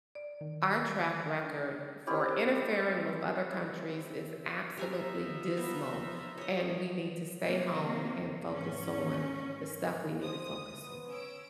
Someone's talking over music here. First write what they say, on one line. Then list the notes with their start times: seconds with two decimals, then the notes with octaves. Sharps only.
our track record for interfering with other countries is absolutely dismal, and we need to stay home, and focus on the stuff we need to focus on.
0.15 D5
0.41 D#3
1.44 D4
2.07 C4 C#4 E4 G4
4.77 G3 D#4 F4 E5 G#5 A#5
5.57 F3 B3
6.38 C#5 D#5
7.46 C3 A#3
8.53 G#2 C#4
10.21 C5 D#6
10.77 B3
11.08 C#4 E6 D7